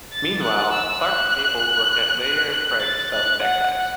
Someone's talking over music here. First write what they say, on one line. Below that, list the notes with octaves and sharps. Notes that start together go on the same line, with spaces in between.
Meanwhile, Clark Gable worked at Meier and Frank selling neckties.
A6
F#6
E6
F#6
F#6
F#6
A6
F#6
F#5